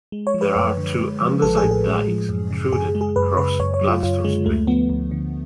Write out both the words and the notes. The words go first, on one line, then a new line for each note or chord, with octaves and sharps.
There are two andesite dykes intruded across Gladstone Street.
G#3
C#5
F3
B4
F#2
D3
G#3
F3
A1 A4
G#4
A2
G#4
G#3
F3
F#2
C#3
F#2 G#4
G#3
G#4
F#2 B4
C#3 B4
F#2 C#5
C#5
F#3
F4
F#2 F4
D3 G#3
D2 A3
F3 B3
D2
D3